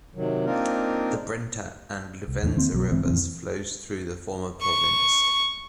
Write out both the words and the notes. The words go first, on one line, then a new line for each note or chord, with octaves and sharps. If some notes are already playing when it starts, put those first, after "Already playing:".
The Brenta and Livenza rivers flows through the former province.
C3 D#3 F#3
A#3 C4 D4 D#4 F4 A#4
C2
E2 E3 G3 D4
D#3 A#3 C4
B1 F#3
G#2 E3 C4
F2 A#2 E3 C4
C#6